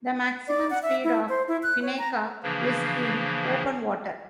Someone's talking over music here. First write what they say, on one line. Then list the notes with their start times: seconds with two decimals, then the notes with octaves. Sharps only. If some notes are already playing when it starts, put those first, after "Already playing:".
The maximum speed of "Fennica" is in open water.
0.48 D5
0.70 F#5
0.83 E5
1.04 E4
1.29 C5
1.48 E4
1.63 F#6
1.82 C#5
1.98 A#5
2.43 C#3 E3 F3 A#3 D4